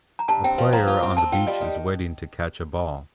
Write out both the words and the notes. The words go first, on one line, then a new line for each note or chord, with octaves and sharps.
A player on the beach is waiting to catch a ball.
A#5
G2 A5
C4 G5
F3
F3 A#5
F4
C4
C4 A5
F4 G5
G3 D#5
D#3